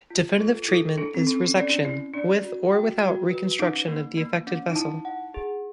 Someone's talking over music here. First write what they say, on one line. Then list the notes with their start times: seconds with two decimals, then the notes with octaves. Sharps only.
Definitive treatment is resection with or without reconstruction of the affected vessel.
0.10 F4
0.39 A4
0.68 E4 A4
0.98 D4 A4
1.14 C4
1.27 C#4 A4
1.41 C#4
1.55 C#4 D5
1.70 D4
1.85 C#4 E4
2.14 D4 D5
2.44 F#4
2.72 G5
3.02 F#4
3.30 B4
3.59 C#4 D#4
3.88 A#3
4.17 A#3
4.47 C#4
4.70 D#4
4.75 E4 A5
5.05 F#5
5.34 G#4